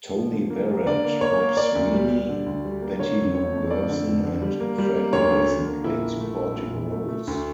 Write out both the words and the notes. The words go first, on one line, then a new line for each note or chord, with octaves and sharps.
Tony Barrett, Bob Sweeney, Betty Lou Gerson, and Frank Nelson played supporting roles.
F3
D3
A#3
A#3
D3 D5
A#3
A#3 C#5
A#3
A#3 D5
D2
G3
G3
D3
D2
G3
A#3
D3 C#5
F2
F2 C#5
A3
F2 D5
D3
F2
D3
G3
A#3
G3
A#3
D2 C#5
D3
D3
A#3
A#2 E4
A#1
A3
A#1
A#2
A#2
A3
A3
D2